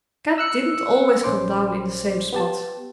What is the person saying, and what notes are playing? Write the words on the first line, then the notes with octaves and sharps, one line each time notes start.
Kat didn't always come down in the same spot.
E6 F#6 C#7
A#1 C#4 C5 D6
B3 G4 A5